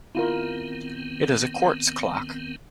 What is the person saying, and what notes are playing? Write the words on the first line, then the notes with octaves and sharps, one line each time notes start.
It is a quartz clock.
D#3 B3 C4 E4 F4 A#4